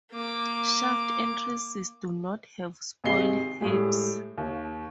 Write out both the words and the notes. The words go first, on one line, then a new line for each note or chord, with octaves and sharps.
Shaft entrances do not have spoil heaps.
A#3 D6
G#1 C3 G#4 D#5 C7 G7
A2 G3 G#3 G4
D#2